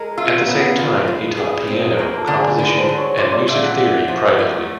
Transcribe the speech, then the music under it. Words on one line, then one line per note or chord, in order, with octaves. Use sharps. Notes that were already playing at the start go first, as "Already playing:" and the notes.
At the same time, he taught piano, composition and music theory privately.
Already playing: G#3 A4 A#4 A#5
F4 E5 E6
B3 B4 B5
F4
G#3
G#4
C4
A#3 A#4 A#5
A4 A5
D3
G#4 G#5
D3 B4 B5
C5 C6
F#3
C#5 C#6
G#3 D5 D6
D5 D6
A#2 E5 E6
F#5 F#6
A#2
F3
A3